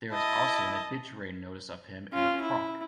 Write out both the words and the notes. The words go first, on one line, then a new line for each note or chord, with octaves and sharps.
There is also an obituary notice of him in the Proc.
E4 D#5 A5
C#4 F4
E4